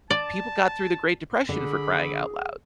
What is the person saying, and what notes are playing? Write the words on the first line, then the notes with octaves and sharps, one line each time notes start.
people got through the great depression for crying out loud.
D5 A5
D3 G#4 B5